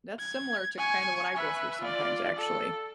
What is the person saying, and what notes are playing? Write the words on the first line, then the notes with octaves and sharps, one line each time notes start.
that's similar to kinda what I go through sometimes, actually.
G#6
G#5 C#6
B4 E5
F4 D5
A4